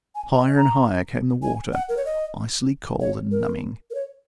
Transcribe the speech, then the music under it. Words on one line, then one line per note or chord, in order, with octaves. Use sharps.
Higher and higher came the water, icily cold and numbing.
G#5
D#5
A#5
G#5
F#5
A#4
C#5
D#5
C#5
A#4
A#4
C#5